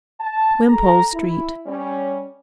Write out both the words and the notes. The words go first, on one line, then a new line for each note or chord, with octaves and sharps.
Wimpole Street.
A5
A4 A#5
E4
G3 C#4